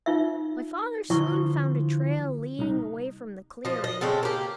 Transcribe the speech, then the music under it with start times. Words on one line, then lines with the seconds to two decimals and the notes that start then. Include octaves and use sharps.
My father soon found a trail leading away from the clearing.
0.06 D#4 F4 E5
1.10 D3 E3 F3 E4 C#6
2.59 C2 D#4
3.65 F3 D#5
3.84 D#5
4.01 C#3 G#3 C4 A4
4.23 A#3 G4